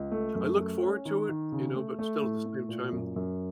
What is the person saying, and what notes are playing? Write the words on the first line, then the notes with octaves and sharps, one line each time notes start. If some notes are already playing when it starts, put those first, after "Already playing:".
I look forward to it, you know, but still at the same time
Already playing: C#2
A3
F#2
A3
C#4
D#3
D#3
C#3
A3
A3
A2
A3
A#2
F#2
F#2